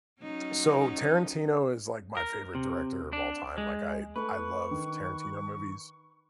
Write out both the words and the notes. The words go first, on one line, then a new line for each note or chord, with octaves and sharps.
so Tarantino is like my favorite director of all time, like I I love Tarantino movies.
F#3 C#4 D#4
A#4
C3
D4
G#3
A3 B4 C#6
D#3